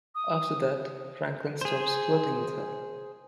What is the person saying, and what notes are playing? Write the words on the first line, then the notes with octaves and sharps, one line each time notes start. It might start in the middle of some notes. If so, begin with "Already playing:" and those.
After that, Franklin stops flirting with her.
D#6
G#4 C5